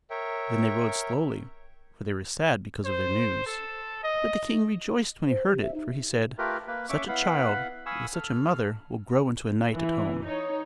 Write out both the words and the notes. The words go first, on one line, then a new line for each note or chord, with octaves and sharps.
Then they rode slowly, for they were sad because of their news; but the king rejoiced when he heard it, for he said: "Such a child, with such a mother, will grow into a knight at home."
A#4 C#5 E5 G5
C5
A4
D#5
C5
G4
E5
D#4
A3 F4 G4 A#4 B4
A#3 B4
C#4 E5 C#6 D6
B3 E4 B4 F5 F#5 B5
F5 G#5 B5 C#6 D#6 E6
A4 F6
E3
D#4 C#5